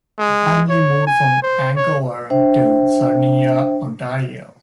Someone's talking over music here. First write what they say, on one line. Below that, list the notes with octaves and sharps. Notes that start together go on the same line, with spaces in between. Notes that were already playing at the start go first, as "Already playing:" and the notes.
The family moved from Vancouver to Sarnia, Ontario.
G#3
C#5
G#5
C5
C#5
D4 C5 E5 G5